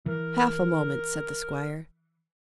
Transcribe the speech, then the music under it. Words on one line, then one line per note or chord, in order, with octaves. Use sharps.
"Half a moment," said the squire.
E3 A#4